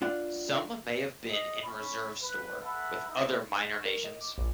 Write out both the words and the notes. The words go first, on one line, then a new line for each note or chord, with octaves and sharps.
Some may have been in reserve store with other minor nations.
D4 F4 F#5
D#5
C#4 B5
B4
A4 B4 E5 F#5 B5
D#4 E4
C#6
A#4
D#5
D6
A#1